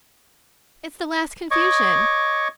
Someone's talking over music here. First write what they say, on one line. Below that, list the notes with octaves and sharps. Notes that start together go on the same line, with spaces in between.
It's the last confusion.
C#5 D#5 C#6 D6